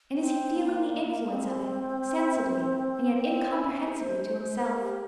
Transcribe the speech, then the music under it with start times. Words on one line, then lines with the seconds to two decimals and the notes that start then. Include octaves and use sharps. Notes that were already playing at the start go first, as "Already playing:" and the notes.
And is he feeling the influence of it, sensibly, and yet incomprehensibly to himself?
0.19 C4
0.56 A#3
0.93 A#3
1.07 A#3
1.30 C4
3.14 C4
3.51 C#4
3.87 C5
4.24 C5
4.61 A#4
4.79 G4